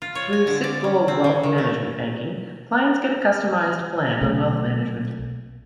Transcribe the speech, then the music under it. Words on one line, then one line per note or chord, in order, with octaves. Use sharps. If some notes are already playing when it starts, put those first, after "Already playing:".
Through Citigold Wealth Management Banking, clients get a customized plan on wealth management.
F4
C#5
G#5
D3
D5
C#4
C4
C#3
D#3
A3
B1 A3 C4